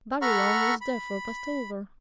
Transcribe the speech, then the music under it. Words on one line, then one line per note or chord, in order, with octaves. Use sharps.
Barillon was therefore passed over.
A4 F#5 A#5 B5 C#6 F6
B5